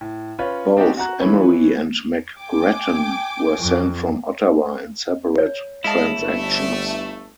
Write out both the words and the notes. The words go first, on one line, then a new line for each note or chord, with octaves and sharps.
Both Emery and McGrattan were sent from Ottawa in separate transactions.
A2
C#4 F4 B4 C#5
C4 D4 D#4 F#4 G4
F#4 F#5 A#5 F#6
E3 E4 B4 C#5
G5 G#5 D6
F2
C#5
G#3 E4 D#5 F5 A5
G1 A3